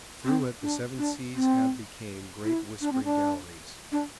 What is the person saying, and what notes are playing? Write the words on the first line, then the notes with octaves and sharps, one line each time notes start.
Through it the seven seas have became great whispering galleries.
C4
D4
D4
C4
E4
D4
C4
D4
D4